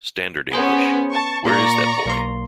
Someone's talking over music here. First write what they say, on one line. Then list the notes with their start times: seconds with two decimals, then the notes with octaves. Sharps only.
Standard English: Where is that boy?
0.53 B3 C#4 G#4 C5 G#5
1.11 A5 C#6
1.45 A#2 A#3 D5 A#5 C#6
2.06 B1 A#3 C6